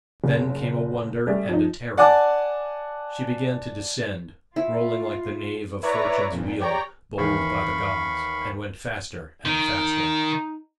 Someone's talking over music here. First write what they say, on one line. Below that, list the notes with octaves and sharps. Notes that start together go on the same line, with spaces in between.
Then came a wonder and a terror: she began to descend rolling like the nave of Fortune's wheel bowled by the gods, and went faster and faster.
F#1
G3 A3 G#4
F3 D#4
D5 F#5 G#5 A5 D6
E4 F4
E4 B4 C#5 D5 A#5
F2 A#2
G4 C#5 D5 G5 A#5
D#2 E3 F5 B5 C#6
D#3 D#4